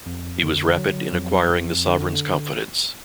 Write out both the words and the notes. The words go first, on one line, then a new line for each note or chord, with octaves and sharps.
He was rapid in acquiring the sovereign's confidence.
F2
D3
F#3
F2
F2
D3